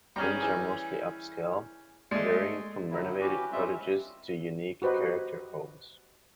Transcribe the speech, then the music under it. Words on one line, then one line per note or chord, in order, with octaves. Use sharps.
Homes are mostly upscale, varying from renovated cottages to unique character homes.
G3 C#4 G#4 A#5
E3
G#3 A3 D5
D3 D#3 F#3 E4
C#4 F#4 G4 B4
G3 G#3 C4 C#4 F4 E5
F#4 G4 B4 C5 D#5